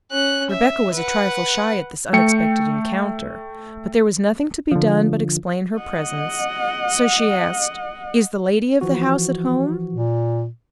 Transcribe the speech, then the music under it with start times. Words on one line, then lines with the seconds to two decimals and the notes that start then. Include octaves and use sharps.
Rebecca was a trifle shy at this unexpected encounter, but there was nothing to be done but explain her presence, so she asked, "Is the lady of the house at home?"
0.11 C#4 F#6
0.50 E5
0.94 B4 F#5
2.13 A3 G5 C#7
4.71 D3 F3
5.78 D#5 F#5
8.81 E3 F3 F#4
9.93 A#2